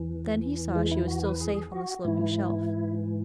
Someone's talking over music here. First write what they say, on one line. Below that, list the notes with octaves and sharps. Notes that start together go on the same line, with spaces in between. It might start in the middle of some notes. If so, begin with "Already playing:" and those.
Then he saw she was still safe on the sloping shelf.
Already playing: E2 E3
G#3
E4
F#4
B4
G#4
F#4
G#2 E3 E4